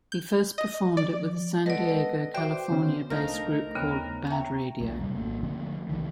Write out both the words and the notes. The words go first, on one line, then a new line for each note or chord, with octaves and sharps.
He first performed it with a San Diego, California-based group called Bad Radio.
G6
D#5
F3 D5
G#3 B3 A4 B4 D5 D#5
F#4 C5 D5 E5 G5 D6
D3 B3 C#4
C2 F3 A3 D4 D#4 F4 A#4 F6
D#2 C#3 B3
C#5 E5 G5 A#5
D#1 B1 A3
F2 C3 G3 A3
G#1 A#3
D3 F3 A3 C4
C2 D#3 E3